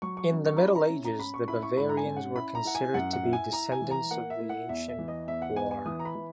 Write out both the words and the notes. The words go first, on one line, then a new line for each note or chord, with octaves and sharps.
In the Middle Ages, the Bavarians were considered to be descendants of the ancient Boier.
F#3 C#6
C#6
C#4
C#6
A#5
E4 B5
A#5
C#4
A#5
C#4 B5
C#6
E4 B5
C#6
G#2 B5
A#5
G#5
C#4
F#5
E4 B5
A#5
E4 F#5
G#5
F#2 F#5
F#5
E4
G#5
E4 A#5
G#5
E3
A#5
A#3 F#5
E5
E4
F#5
E2 E5
E5
E3
D#5
E2 E5
F#5
B3 G#5
G#5
E3 D#6
A#5
B5
E3